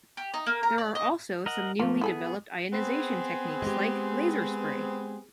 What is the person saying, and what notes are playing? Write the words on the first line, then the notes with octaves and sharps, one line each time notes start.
There are also some newly developed ionization techniques like laser spray.
G4
D#4
A#3
A#4
D5
D#5
A#4 D#5 F#5
F3 A3 A#3 F4
B3 E4 G#4 A4 G#5
B3 C4 G#4
G#3 G4